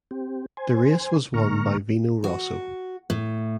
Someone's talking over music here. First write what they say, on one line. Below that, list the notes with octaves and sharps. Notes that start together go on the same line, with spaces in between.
The race was won by Vino Rosso.
C4 G4
C5 G#5
A2 D3 A#3 A#5 C#6 F6
F#4
A2